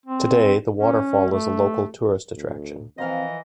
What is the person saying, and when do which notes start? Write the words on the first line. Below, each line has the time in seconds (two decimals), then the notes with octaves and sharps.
Today the waterfall is a local tourist attraction.
0.06 C4
0.77 C#4
1.31 A3
2.35 D2
2.98 E3 F3 C4 A#4 D#5 F5